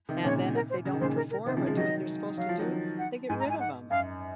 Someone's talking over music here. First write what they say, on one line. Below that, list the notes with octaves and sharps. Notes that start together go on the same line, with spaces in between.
and then if they don't perform or do what they're supposed to do, they get rid of 'em,
C3 D#3
A#2 C#3 C#5
A#4
C5
C#3
D#3
A#2 C#3 C5
A#4
A#4
C3 D#3 C5
C#3 F3
C#5
F3 G#3
D#3 F#3 D#5
F#3 F5
F3
D#3 F#3
F#5
G#2 G#5
A#5
G#2
G#5
F#5
F#2 F5